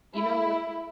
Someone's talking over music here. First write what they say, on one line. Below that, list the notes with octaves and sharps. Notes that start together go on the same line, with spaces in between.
You know what
E4